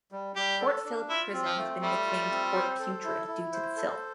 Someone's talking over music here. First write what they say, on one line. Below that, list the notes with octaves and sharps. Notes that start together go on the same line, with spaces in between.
Port Philip Prison has been nicknamed Port Putrid due to the filth.
G3
G3 G4
A4
D4
E4 F4
C4
F3
A3
G3 A3
F4
C4
C5
A4
E4
E4
C5
A4